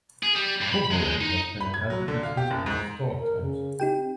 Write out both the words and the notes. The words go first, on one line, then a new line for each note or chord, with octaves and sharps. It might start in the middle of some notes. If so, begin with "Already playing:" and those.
Kobarid has been inhabited since prehistoric times.
G#4
G3
G2
B5
G#3
D#4
B5
G#6
F#3
D3
F5
G4
F#1
G#2
A#4
C#3
D#4 G4 G5
C4